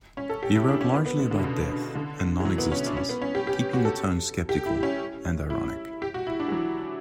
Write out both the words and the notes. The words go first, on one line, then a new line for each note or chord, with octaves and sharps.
He wrote largely about death and non-existence, keeping the tone sceptical and ironic.
C#4
A4
G4
E4
D4
C#4
B3
B3
D3
D3
B2
C#3
D3
E3
F#3
B3
C#4
D4
C#4
B3
C#4
G4
G4
F#4
A4
G4
E4
C#4
E4
G4
F#4
E4
D4
E3
F#3